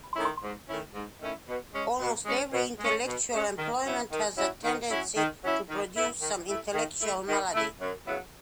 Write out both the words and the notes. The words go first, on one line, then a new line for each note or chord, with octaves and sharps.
Almost every intellectual employment has a tendency to produce some intellectual malady.
D#3 A3 C#4 E4
G#2
D#3 A3 C#4 E4
G#2
D#3 A3 C#4 E4
B2
G#3 C#4
B2
G#3 C#4
B2
G#3 C#4
B2
G#3 C#4
D#3
F#3 C#4 E4
D#3
F#3 C#4 E4
D#3
F#3 C#4 E4
D#3
F#3 C#4 E4
D#3
A3 E4
D#3
A3 E4
D#3
A3 E4
D#3
A3 E4
F#2
C#3 F#3 B3 E4